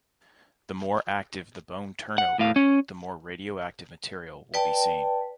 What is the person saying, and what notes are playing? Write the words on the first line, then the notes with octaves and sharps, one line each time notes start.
The more active the bone turnover, the more radioactive material will be seen.
F#5
A2 F5
C#4
B4 D5 G5 A5